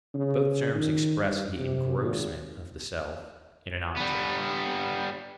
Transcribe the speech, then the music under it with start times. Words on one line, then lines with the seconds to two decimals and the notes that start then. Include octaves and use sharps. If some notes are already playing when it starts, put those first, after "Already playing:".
Both terms express the engrossment of the self in an object.
0.14 C#3
0.74 D#3
1.20 G2
1.59 C3
2.00 G#1
3.97 G3 B3